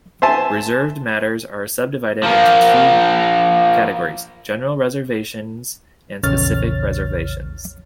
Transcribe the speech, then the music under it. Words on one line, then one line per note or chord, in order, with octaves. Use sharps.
Reserved matters are subdivided into two categories: General reservations and specific reservations.
C5 E5 G#5 A5
F3 A#3
A#1 E2 C#3 C#5 F6 A6